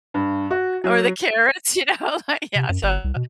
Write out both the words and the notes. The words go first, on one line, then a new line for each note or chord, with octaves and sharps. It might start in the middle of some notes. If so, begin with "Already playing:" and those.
or the carrots, you know, like, yeah, so
G2
F#4
F#3
C3
F#2
G1
C2
B2